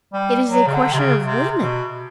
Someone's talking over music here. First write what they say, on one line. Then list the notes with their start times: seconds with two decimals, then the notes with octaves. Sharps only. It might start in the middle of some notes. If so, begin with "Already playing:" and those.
It is a question of women.
0.13 G3
0.49 F#3
0.67 C#3
0.74 D3
0.93 C3
0.98 C#3
1.22 C3
1.60 B2